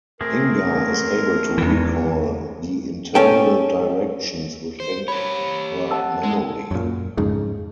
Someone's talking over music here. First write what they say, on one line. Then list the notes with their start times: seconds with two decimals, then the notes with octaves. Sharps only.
Inga is able to recall the internal directions within her memory.
0.21 A3 C4 G#4 A#4
1.58 E2 E3
3.15 C#4 A4 G5
4.80 C5
5.08 G4 C#5 B5
5.91 F#5 A5 E6
6.23 G#3
6.71 F#2 A#2
7.17 F2 G#2 C#3